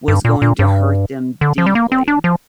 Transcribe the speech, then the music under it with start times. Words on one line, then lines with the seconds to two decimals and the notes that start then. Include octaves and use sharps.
was going to hurt them deeply.
0.08 G2
0.25 A#2
0.42 A#2
0.59 G2
1.41 D3
1.58 F3
1.66 G3
1.75 A#3
1.92 C4
2.08 D4
2.24 F3